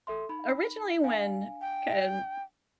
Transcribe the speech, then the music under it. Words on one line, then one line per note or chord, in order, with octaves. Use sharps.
originally when, kind of,
A4 E5 C6
D#4 B5
D4 F5 G#5
G5